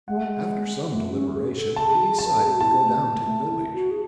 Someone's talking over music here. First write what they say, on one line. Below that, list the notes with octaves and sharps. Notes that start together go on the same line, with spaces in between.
After some deliberation he decided to go down to the village.
G#3 F#5
A3
G#3
A3
C#4
G#4
A4
A4 A5
G#4
F#4
G#4
A5
B4
A4
G#4
F#4
E4 A5
A3
G#3
A3
E4
F#4
G#4